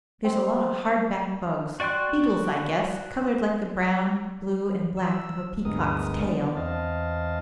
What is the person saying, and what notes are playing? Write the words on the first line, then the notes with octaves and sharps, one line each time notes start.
There's a lot of hard-backed bugs--beetles, I guess--colored like the brown, blue, and black of a peacock's tail.
C4
F#4 D5 G5 C6 F#6
E6
D2 G2 G#3 B3 A#4 D#6
B3 D4 D5
E2 C4 D#5 F5 A5